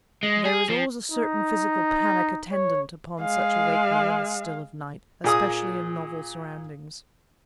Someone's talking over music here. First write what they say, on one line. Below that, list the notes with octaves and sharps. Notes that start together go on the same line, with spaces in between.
There is always a certain physical panic attendant upon such awakening in the still of night, especially in novel surroundings.
G#3
G#4
F3
D#4
C#5
G#3 F5
A#2 G#4 D#6